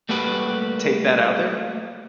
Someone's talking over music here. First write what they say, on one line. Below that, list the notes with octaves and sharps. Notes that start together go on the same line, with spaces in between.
Take that out there?
G3 A3 A#3 F#4 G4 B4